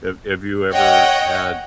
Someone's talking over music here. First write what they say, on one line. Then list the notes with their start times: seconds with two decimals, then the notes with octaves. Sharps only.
Have have you ever had,
0.72 C#5 D#5 F#5 G5